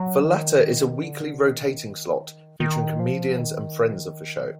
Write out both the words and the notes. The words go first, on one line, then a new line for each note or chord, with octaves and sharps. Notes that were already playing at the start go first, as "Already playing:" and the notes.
The latter is a weekly rotating slot featuring comedians and friends of the show.
Already playing: F#3
D#3
D3
D#3
D#3
F3
D#3